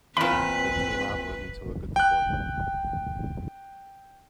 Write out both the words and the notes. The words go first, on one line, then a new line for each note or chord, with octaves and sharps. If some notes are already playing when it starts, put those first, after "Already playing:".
They came out with me to look at the boy.
E2 A#2 C4 B4 B5
G5 F#6